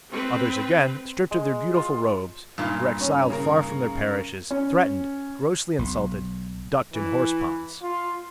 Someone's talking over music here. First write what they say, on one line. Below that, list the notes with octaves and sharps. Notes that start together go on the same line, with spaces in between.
Others again, stripped of their beautiful robes, were exiled far from their parishes, threatened, grossly insulted, ducked in horse-ponds.
C4 B4 G5
G#3
F4
G2 A#2 D#4
C#4
C#3 A#4
C#4
B1
E3
F4